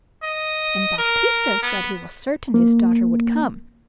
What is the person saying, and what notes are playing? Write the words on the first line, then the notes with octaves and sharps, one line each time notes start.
And Baptista said he was certain his daughter would come.
D#5
A#4
B3
A#3